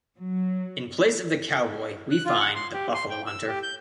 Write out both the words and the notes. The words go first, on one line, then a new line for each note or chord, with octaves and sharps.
In place of the cowboy we find the buffalo-hunter.
F#3
F#6
F4
F#5
C6
G4
C6
G5
E6
G4
G6